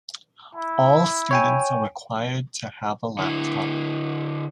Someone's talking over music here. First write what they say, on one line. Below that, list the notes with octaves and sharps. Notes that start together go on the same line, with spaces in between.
All students are required to have a laptop.
E4
C#5 G5 G#5
D3 E4